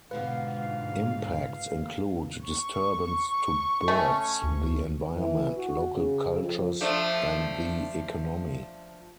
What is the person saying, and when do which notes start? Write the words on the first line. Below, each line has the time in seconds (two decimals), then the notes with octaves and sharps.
Impacts include disturbance to birds, the environment, local cultures and the economy.
0.11 G#2 B2 D3 F4 B4 F5
2.41 C#6
3.88 A3 C#4
4.43 D2
5.14 E3
5.54 F#4
5.94 C#3
6.41 F2
6.81 F3 A3 D4